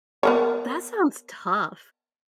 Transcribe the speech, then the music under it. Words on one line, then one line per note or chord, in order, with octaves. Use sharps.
That sounds tough.
B3 A#4 C#5